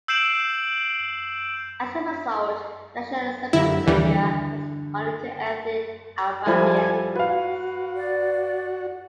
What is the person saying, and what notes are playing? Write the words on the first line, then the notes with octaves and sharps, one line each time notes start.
As a result, the National Assembly of Serbia has only two ethnic Albanians.
E6 G6 C7 D7 E7 F#7
F#2 D3 E4 G4
D#2 D3 E3 G3
F3 G3 E4 A4 G#5
F#4 B4 F5
D5